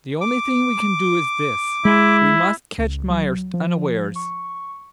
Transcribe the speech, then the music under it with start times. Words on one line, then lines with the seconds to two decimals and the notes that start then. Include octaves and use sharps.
The only thing we can do is this--we must catch Myerst unawares.
0.21 D6
1.85 G#3 E4
2.78 C#2
3.10 F#3
3.53 F3
4.16 C#6